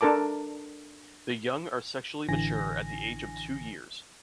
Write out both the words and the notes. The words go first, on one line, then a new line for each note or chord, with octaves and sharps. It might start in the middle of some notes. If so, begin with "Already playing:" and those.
The young are sexually mature at the age of two years.
D4 A4 A#4 A5 D6
A1 D3 E3 G#5 A#6